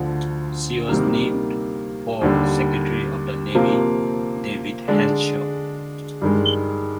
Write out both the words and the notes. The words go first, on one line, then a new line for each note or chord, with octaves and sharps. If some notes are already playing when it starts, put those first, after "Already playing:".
She was named for Secretary of the Navy David Henshaw.
Already playing: D2 D3 F3
C3 D#3 G3 A#3
D#2 D3 G3
C3 F3 A#3
D3 G#3 D4
G2 D#3 G#3